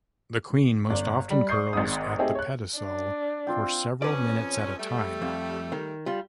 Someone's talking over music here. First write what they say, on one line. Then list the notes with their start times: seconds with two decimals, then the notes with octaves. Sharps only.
The queen most often curls at the pedicel for several minutes at a time.
0.90 G1 D5
1.30 G3
1.49 D5 C#6 D#6 G6 C7
1.73 G#1 G#2 D#6
2.18 A3 C4 D#4 G4 G#4
2.35 C#5 F#6
2.78 D4
3.47 C4 F4 G5
4.02 F2 C#4 B4 D5
4.79 G3 A3
5.22 F2
5.72 D#3
6.06 G3 F4